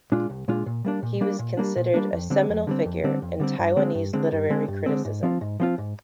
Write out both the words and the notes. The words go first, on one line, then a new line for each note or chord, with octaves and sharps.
He was considered a seminal figure in Taiwanese literary criticism.
A#2 G#3 D4 F4
C2
A#2 G#3 D4 F4
A#2
G3 A#3 D4
A#2
G3 A#3 D4
A#2
G3 A#3 D4
A#2
G3 A#3 D4
F2
D3 G3 C4
F2
D3 G3 C4
F2
D3 G3 C4
F2
D3 G3 C4
G2
D3 G#3 C4
G2
D3 G#3 C4
G2
D3 G#3 C4
G2
D3 G#3 C4
G#2
F3 C4 F4
G#2
F3 C4 F4
G#2